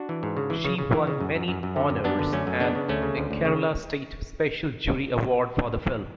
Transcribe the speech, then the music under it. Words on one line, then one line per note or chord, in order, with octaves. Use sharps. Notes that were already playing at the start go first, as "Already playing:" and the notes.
She won many honors and a Kerala State Special Jury Award for the film.
Already playing: D4 F#4
E3
G#2
C#3
E3
C#3
C#3
E3
C#3
F#2
F#2
F#2
F#2
D3
F#2
F#2 B3 D4
D3
F#2 A3 C#4
F#2
C#3 B3 D4
C#3
D2 A3 C#4
C#3
D2
D2
C#3